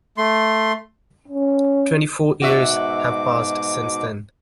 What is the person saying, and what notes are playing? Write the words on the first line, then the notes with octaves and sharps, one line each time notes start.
Twenty-four years have passed since then.
A3 C6
C#4
G#2 B2 F#4 E5 D6